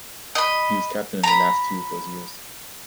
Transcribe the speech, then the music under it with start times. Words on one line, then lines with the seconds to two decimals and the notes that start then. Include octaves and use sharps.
He was captain in the last two of those years.
0.35 D#5 B5
1.23 A#5 B5